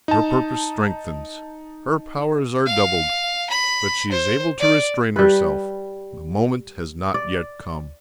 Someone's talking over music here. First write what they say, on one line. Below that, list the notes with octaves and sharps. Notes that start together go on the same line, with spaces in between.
Her purpose strengthens, her powers are doubled, but she is able to restrain herself: the moment has not yet come.
D#4 A5
F5
B5
C5
D5
G3 B4
D5